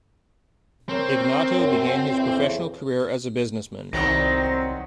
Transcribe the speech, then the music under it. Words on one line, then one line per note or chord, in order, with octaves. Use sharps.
Ignatow began his professional career as a businessman.
C4 A#4 C5 C#5
F#2
F2 C#3 E3
C2 D#3 F#3 B3 C4 A#6